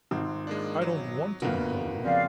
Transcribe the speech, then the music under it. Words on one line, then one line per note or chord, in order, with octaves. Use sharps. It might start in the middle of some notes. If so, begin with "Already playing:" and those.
I don't want to be holy.
G#1 C4 F4
G#3 A#3 D4
F#3
G1 F2 A#2 D3 A#3 B3 F#4 F5
C#3 F3 C4 D5 F5